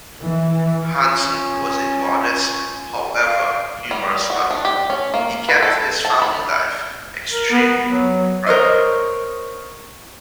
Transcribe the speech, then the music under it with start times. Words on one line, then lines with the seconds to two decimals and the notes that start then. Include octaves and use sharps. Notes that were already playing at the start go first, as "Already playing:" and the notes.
Hanson was a modest however humorous man, he kept his family life extremely private.
0.22 E3
1.02 C#4 F4
3.25 F5
3.91 G3
4.30 F#4
4.51 D4
4.65 G4
4.90 C#4
5.14 A#3
5.49 B4
5.63 A4
6.05 A5
6.22 B5
7.32 A#4
7.51 B3
7.90 F#3
8.47 A#4 C5 C#5 D#5